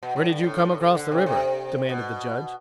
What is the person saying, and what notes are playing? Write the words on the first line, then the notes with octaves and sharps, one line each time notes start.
"Where did you come across the river?" demanded the Judge.
B2
A2
G2
A2
A2
C3
D3
C3
C3
B2